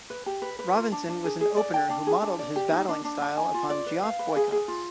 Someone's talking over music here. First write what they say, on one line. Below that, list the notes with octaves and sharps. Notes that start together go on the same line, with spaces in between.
Robinson was an opener who modelled his batting style upon Geoff Boycott's.
B4
G4
B4
B4
F4
D4
D4
G#4
G#4
D5
G5
D4
G#4
D4
D5
G4
D#4
D4
D4
D4
G#5
F4
D5
B4
F5
B4
G#4
G#4
F4